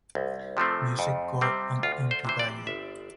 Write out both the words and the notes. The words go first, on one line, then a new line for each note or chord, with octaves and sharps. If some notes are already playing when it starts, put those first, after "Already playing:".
Music Core and Inkigayo.
C2
C3 F3 A3 C4
F2
C3 G3 C4
D2 F4
C5
C3 E3 C5
D5
G1 E5